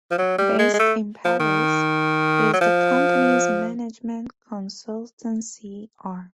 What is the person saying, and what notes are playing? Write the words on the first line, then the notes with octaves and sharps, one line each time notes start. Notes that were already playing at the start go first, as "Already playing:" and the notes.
Based in Paris, it is the company's management consultancy arm.
F3
F#3
G3
G#3
G#3
A3
F3
D#3
F#3
F3